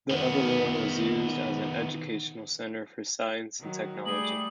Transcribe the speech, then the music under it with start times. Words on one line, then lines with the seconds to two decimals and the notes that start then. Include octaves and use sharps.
The Evoluon was used as an educational centre for science and technology.
0.11 D#3 B3
3.60 D#3 F#3
4.06 G3 A3 G#4 F#7